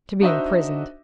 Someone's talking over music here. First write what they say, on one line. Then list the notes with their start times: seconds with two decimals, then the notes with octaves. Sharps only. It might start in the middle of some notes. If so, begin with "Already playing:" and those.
To be imprisoned.
0.21 D4 D#4 F#4 C5 D#5 E5